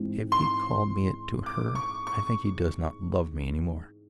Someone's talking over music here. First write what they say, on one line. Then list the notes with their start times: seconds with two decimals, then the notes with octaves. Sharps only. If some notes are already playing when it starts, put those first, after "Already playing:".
But, if he called me it to her, I think he does not love me any more.
Already playing: G#2 E3 G#3 C4
0.32 C6
1.46 D6
1.75 C#6
2.07 C#6